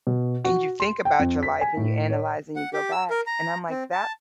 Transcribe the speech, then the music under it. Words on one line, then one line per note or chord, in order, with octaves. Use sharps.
and you think about your life and you analyze and you go back, and I'm like, "That
B2
F#4
C6
G5
F2
B6
G#5
A2
C#5
F#5
G4
E6
A#4
A#5
C4
A5